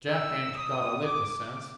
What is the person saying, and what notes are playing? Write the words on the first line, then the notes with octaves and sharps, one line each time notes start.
Jack ain't got a lick uh sense.
E6
D#6
D6